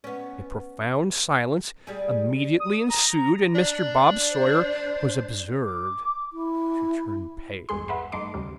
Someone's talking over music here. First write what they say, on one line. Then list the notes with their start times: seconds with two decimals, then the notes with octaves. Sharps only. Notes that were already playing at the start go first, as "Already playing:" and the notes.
A profound silence immediately ensued; and Mr. Bob Sawyer was observed to turn pale.
0.04 B3 C#4
1.87 G3 G#4
2.60 D#6
2.90 A#5
3.55 D4
4.30 C5
5.64 D6
6.33 E4
7.69 G#1 E2 G2 G#3 G#4 C6
7.88 B4 E5 F#5 B5 C6
8.12 G2 A3 D#4 C6 D6
8.34 D#2 C#3 G3